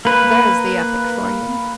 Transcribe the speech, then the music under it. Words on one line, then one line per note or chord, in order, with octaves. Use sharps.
There's the epoch for you.
A#3 B4